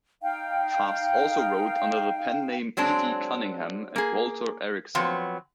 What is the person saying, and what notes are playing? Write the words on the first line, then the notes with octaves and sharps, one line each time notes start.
Fast also wrote under the pen names E. V. Cunningham and Walter Ericson.
D#4 F5 G5
F#3 G#3 C4 D4
A#3 G#4
F3 F#3 B3 C4